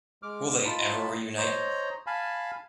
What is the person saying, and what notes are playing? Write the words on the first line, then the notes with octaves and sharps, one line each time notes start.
Will they ever reunite?
G#3 D6 F6
D#4 F4 A5 B5
C5 C#5 D#5 A#5
F5 G#5 A5 B5